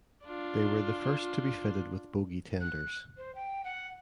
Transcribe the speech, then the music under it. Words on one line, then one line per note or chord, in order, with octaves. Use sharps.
They were the first to be fitted with bogie tenders.
D4 F4
F#6
C5
G5
F#5